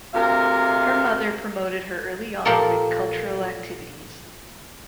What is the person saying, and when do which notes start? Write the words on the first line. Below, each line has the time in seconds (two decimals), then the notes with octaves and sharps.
Her mother promoted her early on with cultural activities.
0.14 D2 C3 A#4 F5
2.45 A#2 F3 G4 A4 A#4